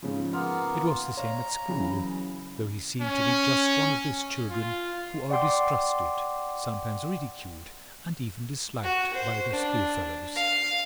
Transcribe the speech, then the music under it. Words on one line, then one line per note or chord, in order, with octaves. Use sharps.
It was the same at school, though he seemed to be just one of those children who are distrusted, sometimes ridiculed, and even disliked by their schoolfellows.
G#2 C#3 F3
A#3 B3 F4 F6
C#5 F5 A#5
C#3 E3 F#3
C#4
F4
D5 F#5 G5 C6 D6
F#4
C5
D4
F5